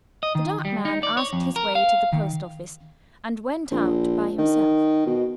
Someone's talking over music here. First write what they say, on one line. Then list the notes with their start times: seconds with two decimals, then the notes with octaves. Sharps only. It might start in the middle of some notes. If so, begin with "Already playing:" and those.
The dark man asked his way to the post-office and went out by himself.
0.23 D#5
0.35 D#3
0.65 G3
0.85 D#4
1.03 D5
1.17 C#5
1.33 F2
1.56 A#4
1.75 F5
2.13 D#3
3.72 A#1
4.38 D#3
5.06 B2